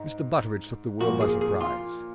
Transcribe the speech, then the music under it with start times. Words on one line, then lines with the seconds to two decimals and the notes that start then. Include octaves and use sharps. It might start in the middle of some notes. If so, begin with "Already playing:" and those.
Mr. Butteridge took the world by surprise.
Already playing: G#2 G#3 D#4
1.01 A#2 F3 A#3 F#4
1.21 G#4
1.41 G#4
1.61 F4